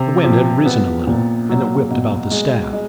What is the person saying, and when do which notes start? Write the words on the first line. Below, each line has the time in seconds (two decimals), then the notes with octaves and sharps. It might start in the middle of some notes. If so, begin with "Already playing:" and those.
The wind had risen a little, and it whipped about the staff.
Already playing: C3
0.24 F3
0.66 B3
1.07 A#2
1.49 F#3
1.90 B2
2.31 G#3
2.73 G#3